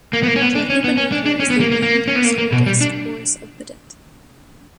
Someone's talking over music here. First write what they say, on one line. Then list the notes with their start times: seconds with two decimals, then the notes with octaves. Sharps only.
Directly beneath her is the Winged Solar Disk, Horus of Behdet.
0.13 A#3
0.23 B3
0.28 A#3
0.36 C#4
0.42 B3
0.55 D4
0.70 C#4
0.84 B3
0.97 C#4
1.12 D4
1.26 D4
1.40 C#4
1.50 B3
1.60 A#3
1.71 A#3
1.82 A#3
2.08 C#4
2.16 B3
2.25 A#3
2.38 A#3
2.52 B2
2.66 G3
2.81 D4